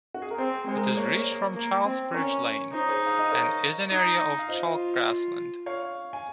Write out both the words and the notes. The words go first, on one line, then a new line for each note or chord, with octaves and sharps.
It is reached from Childsbridge Lane, and is an area of chalk grassland.
F#4
G#4
A#4
C4 G#4 C5
G#3 C5
A#4
G#4 C5
A#3 C#5
C5
A#4 C#5
A#3
C4
C#4 A#4 C#5
D#4 C5
C#5
G#4 C5
F5
D#5
A#4 C#5
D#4
F5
F4 C5 D#5
C#5 F5
G#5